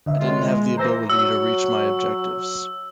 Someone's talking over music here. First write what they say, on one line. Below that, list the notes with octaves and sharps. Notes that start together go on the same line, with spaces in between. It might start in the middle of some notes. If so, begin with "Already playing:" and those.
I didn't have the ability to reach my objectives.
D3 D#5 E5
F#2 G#3 F4
G#3
E3 C5 A#5 E6 A#6
F#3 E6